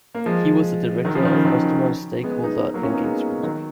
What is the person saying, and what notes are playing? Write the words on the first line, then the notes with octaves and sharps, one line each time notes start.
He was the Director of Customer and Stakeholder Engagement.
A#3
F3 G#3
D#3 F#3
C#3 F3
D#3
C#3 F3
D#3 F#3
G#3 B3
B3 D#4
F#3 A#3
C#4 F4
B3 D#4
G#3 B3
D#3 F#3